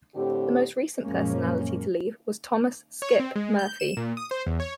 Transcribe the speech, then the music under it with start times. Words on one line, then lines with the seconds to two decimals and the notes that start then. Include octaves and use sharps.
The most recent personality to leave was Thomas "Skip" Murphy.
0.14 A2 D3 C4 G4
1.03 F#2 A#2 F3 G#3 A#3 C#4
3.02 C#5
3.19 C4
3.36 G#3
3.59 G6
3.80 E7
3.97 A#2
4.17 D#6
4.31 C5
4.47 E2
4.60 C#5